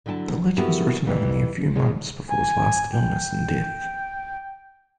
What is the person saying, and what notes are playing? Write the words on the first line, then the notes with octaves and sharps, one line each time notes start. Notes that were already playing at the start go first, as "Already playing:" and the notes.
The letter was written only a few months before his last illness and death.
D3 F#3 E4 G5 A5
B3 E4 F#4 G4 A4 A#4
F2 E3 G3 G5
G#2 D#3 G#3 G#4 C#5
G#5
G5